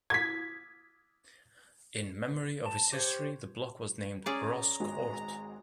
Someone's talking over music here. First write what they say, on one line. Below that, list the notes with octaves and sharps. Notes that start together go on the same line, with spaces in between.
In memory of its history the block was named Ross Court.
G#6 B6
A5
G4 C5 C#5
C#4 G#4 D5 A#5
G#1 G#3 F#4